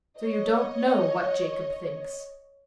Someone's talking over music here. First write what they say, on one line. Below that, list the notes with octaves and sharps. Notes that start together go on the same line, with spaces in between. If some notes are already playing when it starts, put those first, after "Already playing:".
"So you don't know what Jacob thinks?"
C#5 D#5